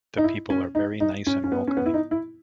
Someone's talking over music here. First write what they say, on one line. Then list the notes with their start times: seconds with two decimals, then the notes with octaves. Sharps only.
The people are very nice and welcoming.
0.18 D#4
0.24 E4
0.50 C#4
0.75 D#4
1.00 D#4
1.27 C#4
1.44 C#4
1.52 B3
1.67 C#4
1.77 B3
1.86 E4
1.94 D#4
2.11 E4